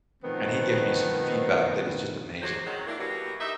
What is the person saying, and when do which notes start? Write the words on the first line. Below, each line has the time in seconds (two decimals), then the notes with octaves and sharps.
And he gives me some feedback that is just amazing.
0.23 B2 D#3 F3 A3 B3 C4
2.42 D#2 F#3 G#3 C5
2.66 D#3 F#3 G#3
2.87 A#3 D4 E4
2.98 B2 F#3 A#3 E4 G4 C#5
3.40 D#4 G4 D#5 E5